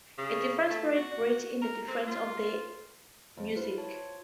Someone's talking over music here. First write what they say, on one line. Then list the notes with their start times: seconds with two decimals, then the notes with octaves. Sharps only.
A different spirit breathes in the difference of the music.
0.18 C#3
0.70 A3
0.96 F#4
1.62 A#4
1.88 C4
2.07 F4
3.37 F2
3.56 E4 F4 B4 C5
3.78 C#5 A5